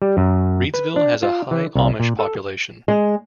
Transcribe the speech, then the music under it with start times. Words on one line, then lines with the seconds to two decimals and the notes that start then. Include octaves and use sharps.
Reedsville has a high Amish population.
0.02 G3
0.17 F#2
0.74 B4
0.96 D4
1.23 F4
1.51 E3
1.75 C2
2.00 A#2
2.19 A4
2.88 G#3